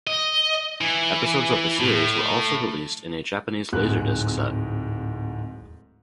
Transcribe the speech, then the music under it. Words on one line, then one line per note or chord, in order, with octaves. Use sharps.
Episodes of the series were also released in a Japanese laserdisc set.
D#5
E3
A2
D1 G#2 G#3 C4 F#6